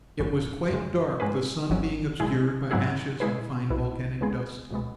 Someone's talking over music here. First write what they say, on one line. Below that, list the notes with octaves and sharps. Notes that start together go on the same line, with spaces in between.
It was quite dark, the sun being obscured by ashes and fine volcanic dust.
G#1 F#2 E3 C#4
F#2 C#3 G#3
G#2 G#3 C#4 G#4 B4
G#1 G#2 F#3 C#4
B1 B2 G#3 E4 G#4
G#2 F#3 B3 E4 G#4
C#3 G#3 E4 G#4 B4
B1 B2 B3 E4
C#2 B2 G#3 B3 G#4
C#2 B2 G#3 B3